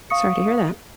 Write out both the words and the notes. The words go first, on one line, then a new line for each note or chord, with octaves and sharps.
Sorry to hear that.
F5 C#6 D#6 C#7